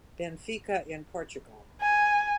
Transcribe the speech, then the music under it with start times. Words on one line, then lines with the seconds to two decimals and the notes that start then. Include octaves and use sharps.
Benfica in Portugal.
1.81 G#5